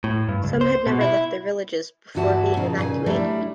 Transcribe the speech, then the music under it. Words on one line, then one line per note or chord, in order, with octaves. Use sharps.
Some had never left their villages before being evacuated.
A2
G2
C#2
C5
B2
E4
D2 G2 E3 F#4 E5 A5
A#2 C#3 F3 D#4
A#2 C#3 G#4 B4 G#5
F#3 G3 A3 D4 E4